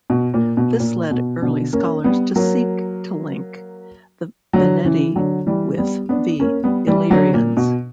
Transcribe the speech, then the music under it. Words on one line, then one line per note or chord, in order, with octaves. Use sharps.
This led early scholars to seek to link the Veneti with the Illyrians.
B2
A#2
B2
A#2
B2
B2 D3
A#3 C#4
G3 B3
F#3 A#3
D3 F#3
C#3 E3
D3 F#3
E3 G3
G3 B3
B3 D4
A#3 C#4
G3 B3
E3 G3
D3 F#3
A#2
B2